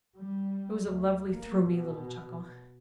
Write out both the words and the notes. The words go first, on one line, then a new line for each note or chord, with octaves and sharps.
It was a lovely throaty little chuckle.
G3
D2
A#3
B2